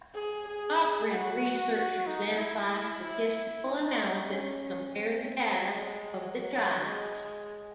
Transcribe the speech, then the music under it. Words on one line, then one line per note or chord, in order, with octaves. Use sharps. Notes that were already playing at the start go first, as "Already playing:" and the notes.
Cochrane Researchers then apply statistical analysis to compare the data of the trials.
G#4
G#4
F#4
D#4
E4
E4
D#4
C#4
C4
G#3
F#3
F#3
G#3